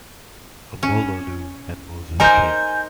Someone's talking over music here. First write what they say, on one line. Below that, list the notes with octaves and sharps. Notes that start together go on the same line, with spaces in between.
Omololu and Moses King.
C#4
D#4 A#4 C5 G#5 G6